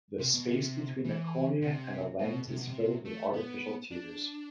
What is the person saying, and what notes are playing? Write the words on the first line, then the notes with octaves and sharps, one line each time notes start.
The space between the cornea and the lens is filled with artificial tears.
C3
B2
C3
E3
C3
B2
C3
B2
C3
A3
B3
D4